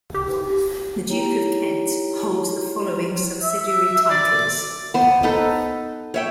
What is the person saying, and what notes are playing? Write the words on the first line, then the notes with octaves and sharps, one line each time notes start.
The Duke of Kent holds the following subsidiary titles.
G4
D#4 E4 G4 C#5 G5 A#5
E5
D5
B3 C5
D#4 A4 B4
C#5 E5 G5